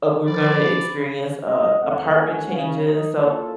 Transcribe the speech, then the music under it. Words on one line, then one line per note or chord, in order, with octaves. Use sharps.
uh, we're gonna experience, uh, apartment changes, so,
F3 D5 B5
D#5
E2 A3 C4 D5 F#5
D2 A3 C#5 F#5 G#5
C#3
D#4
A#3 E4 F4 G#4 A4